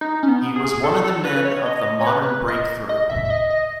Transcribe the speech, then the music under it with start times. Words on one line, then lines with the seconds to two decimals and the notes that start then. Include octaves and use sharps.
He was one of the men of "the Modern Break-through".
0.01 D#4
0.23 C#4
0.29 B3
0.56 G#4
0.84 A4
1.04 A4
1.25 B4
1.45 C#5
1.65 D#5
2.01 C#5
2.07 B4
2.48 D#5
2.89 D#5
3.10 E5
3.25 E5
3.30 D#5
3.50 D#5